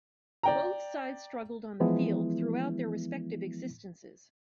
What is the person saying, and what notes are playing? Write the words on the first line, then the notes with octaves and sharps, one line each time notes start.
Both sides struggled on the field throughout their respective existences.
D5 G5 A#5
E3 F3 G#3 B3 E4